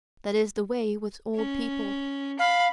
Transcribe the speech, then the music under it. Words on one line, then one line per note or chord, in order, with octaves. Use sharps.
That is the way with old people!
C#4
F5 B5